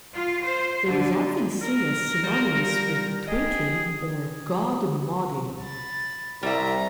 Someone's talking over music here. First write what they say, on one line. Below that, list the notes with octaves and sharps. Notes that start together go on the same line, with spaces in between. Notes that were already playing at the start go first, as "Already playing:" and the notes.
It is often seen as synonymous with twinking or "godmoding".
F4
C5
D3
A#4
G3 F4
G4 G#4 D#5
B5 A6
C2 G3 E5 A#5